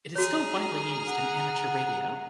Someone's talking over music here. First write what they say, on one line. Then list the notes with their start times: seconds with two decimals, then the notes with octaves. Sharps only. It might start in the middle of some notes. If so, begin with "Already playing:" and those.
It is still widely used in amateur radio.
0.15 F#4 G#4 C#5 A#5 F6
1.08 F#5